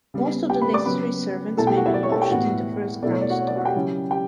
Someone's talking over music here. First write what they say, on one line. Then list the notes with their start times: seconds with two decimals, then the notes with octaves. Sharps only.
Most of the necessary servants may be lodged in the first ground story.
0.14 C#3 G3 B3
0.49 G4 G5
0.62 B4 B5
0.74 D5 D6
0.85 C#3 F#3 B3 B4 B5
1.57 B2 A3 E4 A4 A5
1.67 G4 G5
1.76 F#4 F#5
1.85 E4 E5
1.94 D5
2.03 C#5 C#6
2.12 A4 A5
2.22 G4 G5
2.30 A2 E3 B3 E4 F#4 F#5
3.02 B2 A3 E4 D5
3.12 C#5
3.21 D5
3.29 F#4 F#5
3.38 C#5
3.47 D5
3.57 F#4 F#5
3.65 G4 G5
3.75 C#3 F#3 C#4 E4
4.11 G4 G5